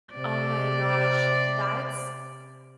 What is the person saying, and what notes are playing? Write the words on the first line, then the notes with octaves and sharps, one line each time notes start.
Oh my gosh, that's
C3 D5